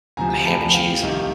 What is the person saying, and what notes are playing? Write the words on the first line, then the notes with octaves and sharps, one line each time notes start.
A ham and cheese
D2 C3 F3 G#5 A#5
A5 B5
F5 G5
C2 C3 D#3 D#5 F5